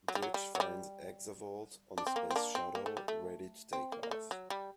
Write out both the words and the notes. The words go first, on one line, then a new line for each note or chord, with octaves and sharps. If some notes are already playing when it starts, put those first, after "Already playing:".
Glitch finds Exavolt on a space shuttle ready to take off.
F#3
G3
F#3
G3
F#3
G3
D4
C4
A#3
C4
A#3 D4
C4
A#3
A3
G3
A3
C4
A#3
A#3
A3
F#3
G3